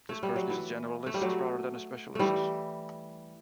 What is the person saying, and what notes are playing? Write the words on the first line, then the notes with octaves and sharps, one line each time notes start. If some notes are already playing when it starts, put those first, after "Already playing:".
This person is a generalist rather than a specialist.
Already playing: B3
A3
G3
F#3
E3
A3
G3
F#3 A3
E3 G3 A3